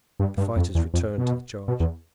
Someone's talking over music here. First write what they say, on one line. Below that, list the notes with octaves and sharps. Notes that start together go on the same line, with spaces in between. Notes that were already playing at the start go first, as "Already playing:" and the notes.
The fighters returned to the charge.
G2
G2
F2
E2
F2
B2
B2
E2